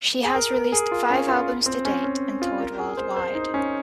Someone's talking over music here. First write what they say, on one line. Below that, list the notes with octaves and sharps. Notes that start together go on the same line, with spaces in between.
She has released five albums to date and toured worldwide.
G#4
A#4
A#4
G#4
F4
C#4
F4
C4
C#4
C#4
F4
A#4
G#4
C5
C5
D#4
C#4